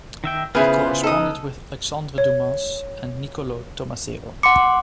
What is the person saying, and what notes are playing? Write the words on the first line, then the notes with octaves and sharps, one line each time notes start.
He corresponded with Alexandre Dumas and Niccolo Tommaseo.
D#3 E5 G5
C#3 B3 E4 F4 G#4 C5
D#4 A4 D#6
C#5
F#5 C6 D6 C#7